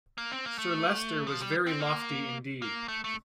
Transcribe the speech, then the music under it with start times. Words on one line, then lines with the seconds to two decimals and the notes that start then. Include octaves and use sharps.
Sir Leicester was very lofty indeed.
0.18 A#3
0.32 C4
0.45 A#3
0.58 A3
1.27 F3
1.40 G3
1.67 C4
1.80 A#3
2.62 A#3
2.88 A3
3.04 A3